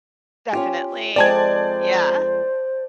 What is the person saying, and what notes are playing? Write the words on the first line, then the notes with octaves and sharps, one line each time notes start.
Definitely, yeah.
C#4 F4 G4
F2 G#3 C4 C5 D5 A5 G#6